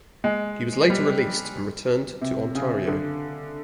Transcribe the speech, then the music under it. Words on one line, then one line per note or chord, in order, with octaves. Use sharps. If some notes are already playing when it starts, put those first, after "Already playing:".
He was later released and returned to Ontario.
G#3
G3
C3
C#3
D3